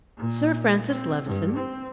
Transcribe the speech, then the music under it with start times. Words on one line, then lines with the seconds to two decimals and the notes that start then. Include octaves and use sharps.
Sir Francis Levison?
0.17 A#2
0.88 C4
1.26 G2
1.56 C4